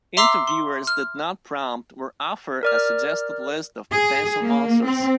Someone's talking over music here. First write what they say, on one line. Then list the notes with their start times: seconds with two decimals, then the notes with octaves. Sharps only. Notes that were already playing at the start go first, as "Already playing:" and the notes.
Interviewers did not prompt or offer a suggested list of potential answers.
0.17 E5 A#5 C6 D6 E6 C7
0.47 C6
0.87 F6
2.63 A#4 D5 F6
3.91 G#4
4.42 A#3
4.86 C4